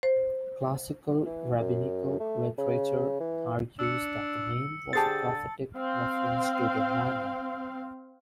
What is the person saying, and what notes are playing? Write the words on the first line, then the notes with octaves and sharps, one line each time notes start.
Classical rabbinical literature argues that the name was a prophetic reference to the manna.
C5
E3
F#2
A3
C#3
E3
D4 E6 C#7
D3 G4 G#4 C5 A5 A6
C4 F5